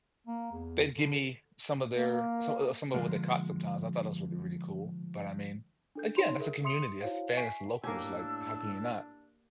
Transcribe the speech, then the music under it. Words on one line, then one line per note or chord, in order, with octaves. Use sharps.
they'd gimme some of their some o some of what they caught sometimes. I thought that was really, really cool, but I mean, again, that's a community, that's that is locals, like, how can you not?
A#3
E2
D3
A#3
D3 F3 G#3 A#3
D4 A4 G6
D#4 C#5 B5 C6 F7
G#4 A#4 E5
E5 C6 D#6 C#7 F7
E4 F#4 C5 C#5 F5
E5 G#5 C#6 B6 C7 D7
A2 A#3 D4 G4 G#5 E6